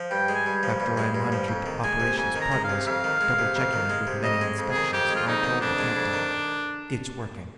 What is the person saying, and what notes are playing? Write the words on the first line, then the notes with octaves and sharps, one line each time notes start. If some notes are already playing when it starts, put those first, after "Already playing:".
After I monitored the operation's progress, double-checking it with many inspections, I told the captain, "It's working."
Already playing: F3
G2 G5
G#3
G#5
G2
F3
G2
G#3
G2
F3
F2
D#3
G#3 G#5
C3
F2 G#5
D#3
A#5
G#3
F5
C3
F2 F5
D#3
G#3
C3
F2
D#3
G#3
C3
F2 D#5
G#3
F2
G#4
D#3
F2 G4
G#3
F4
F2 D#4
D#3
F2 D4
G#3
F2
D#3